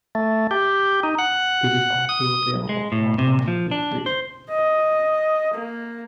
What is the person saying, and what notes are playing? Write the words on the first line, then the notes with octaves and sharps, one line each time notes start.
It is also available online for free.
A3
G4
D#4
F#5
D#6
G#3
A2
C3
F3
D4
C5
D#5
A#3